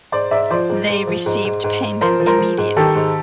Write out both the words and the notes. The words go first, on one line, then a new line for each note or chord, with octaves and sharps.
They received payment immediately.
G#2 C5 D5
G#2 D5 E5
F3 C5 D5
G#2
G#2
F3
G#2
G#2
G#2
G#2
F3 A#4 C5
F3
A#4 C5
F3
G#2
D#3 G4 A4
G#2